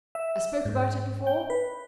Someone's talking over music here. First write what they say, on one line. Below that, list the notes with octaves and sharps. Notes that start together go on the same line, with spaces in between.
I spoke about it before.
E5
G#2
G5
B4